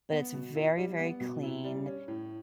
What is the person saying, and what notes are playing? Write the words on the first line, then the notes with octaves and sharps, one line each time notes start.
But it's very, very clean.
B3
B2
E4
G3
B3
B2
E4
G3
C#4
A2